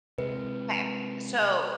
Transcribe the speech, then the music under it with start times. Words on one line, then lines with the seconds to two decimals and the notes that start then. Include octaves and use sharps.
okay. So,
0.18 C3 G#3 B4